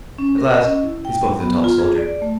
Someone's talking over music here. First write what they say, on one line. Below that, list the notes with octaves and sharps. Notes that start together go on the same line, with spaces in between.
At last he spoke to the tall soldier.
C#4
A#4
D#5
C#4
E4
G5
F#3
B3
F4
G#4
D5
A3